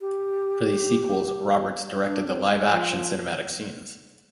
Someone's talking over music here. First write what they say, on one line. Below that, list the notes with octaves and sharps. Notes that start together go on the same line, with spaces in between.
For these sequels, Roberts directed the live-action cinematic scenes.
G4
D4
C4
G#3
F3